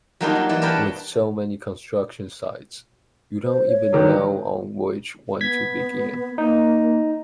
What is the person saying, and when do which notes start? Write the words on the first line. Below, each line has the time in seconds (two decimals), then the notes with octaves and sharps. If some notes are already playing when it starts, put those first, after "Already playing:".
With so many construction sites, you don’t even know on which one to begin.
0.21 F#3 G3 A#3 D4 D#4 F4
0.35 D#4
0.49 E3 D5
0.62 D4 A#4 B4 C#5 G5 A5
3.45 C5
3.67 C#5
3.93 D3 D#3 F#3
5.41 B3 G#6 B6
6.38 A#3 D#4